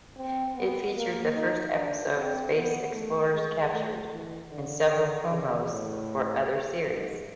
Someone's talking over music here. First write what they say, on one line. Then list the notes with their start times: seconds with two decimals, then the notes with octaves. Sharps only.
It featured the first episode, "Space Explorers Captured", and several promos for other series.
0.17 C4
0.56 B3
0.96 A#3
1.35 D#4
1.74 D4
2.14 C4
2.53 B3
2.92 A3
3.33 G#3
3.72 A3
4.11 E3
4.50 D3
4.89 D3
5.28 C#3
5.68 A2
6.87 G#2